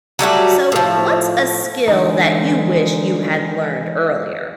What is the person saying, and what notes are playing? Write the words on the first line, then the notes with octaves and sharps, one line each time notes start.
So, what's a skill that you wish you had learned earlier?
F#3 G3 A3 F#4
A2 F3
D3 E3 G#3 D#4